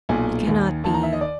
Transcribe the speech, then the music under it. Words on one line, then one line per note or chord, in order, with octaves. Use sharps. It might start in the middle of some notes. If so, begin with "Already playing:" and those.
It cannot be.
B1 A#2 G#5
D#2 D#3
D#2 D#3 A5
A#5
E5
D#5
D5